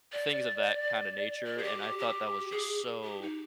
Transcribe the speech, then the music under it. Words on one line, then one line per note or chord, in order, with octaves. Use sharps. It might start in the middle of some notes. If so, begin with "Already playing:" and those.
things of that kinda nature, and I thought that was just so
D5
D5
G#4
G4
G4
G4
G#4
G4
D#4